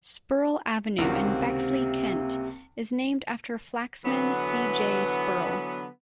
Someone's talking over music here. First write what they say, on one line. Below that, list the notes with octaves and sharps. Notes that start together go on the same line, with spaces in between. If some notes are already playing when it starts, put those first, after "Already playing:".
Spurrell Avenue in Bexley, Kent, is named after Flaxman C. J. Spurrell.
C#2 C3 D#3 A#3 C4 F#4
D3 E3 F#3 B3